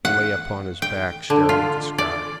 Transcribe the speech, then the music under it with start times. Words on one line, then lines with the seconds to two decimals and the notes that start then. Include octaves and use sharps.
He lay upon his back staring at the sky.
0.05 F#5
0.82 G5
1.30 D3
1.49 F4
1.98 D5